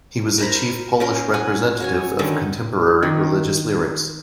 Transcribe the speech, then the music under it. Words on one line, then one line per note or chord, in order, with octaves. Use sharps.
He was a chief Polish representative of contemporary religious lyrics.
A#4 C5 A#5 B5
C#4 A#4 C6
F#5 G#5
F#4 C#5 G#5
D3 D#3 C#4
D#3